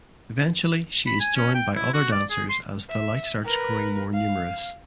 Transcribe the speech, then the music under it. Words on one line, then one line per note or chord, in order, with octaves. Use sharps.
Eventually she is joined by other dancers as the light starts growing more numerous.
B5
G#5
C#4
G5
E4
F#4
D5
G#4
C6
E5
A#4 B4
F5